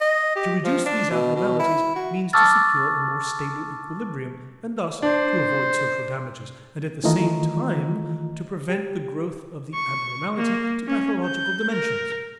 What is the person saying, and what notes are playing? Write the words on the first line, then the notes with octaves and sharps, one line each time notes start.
To reduce these abnormalities means to secure a more stable equilibrium and thus to avoid social damages, and at the same time to prevent the growth of the abnormality to pathological dimensions.
D#5
G4
F3
D4
B2
B2
E4
F#4
A5 C#6 D6 E6 F6 A6
D4 C5
D#3 E3 A3 F4 D#5 A#5
G4
C#6
A#3
C#4
G6
A#4